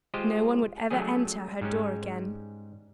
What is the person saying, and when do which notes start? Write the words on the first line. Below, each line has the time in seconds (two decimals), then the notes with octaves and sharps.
No one would ever enter her door again.
0.14 G#3 F4 G4 C5 D#5 F5
0.90 F#3 G3 A3 C#4 G#4
1.61 G#2 G3 G#3 C#4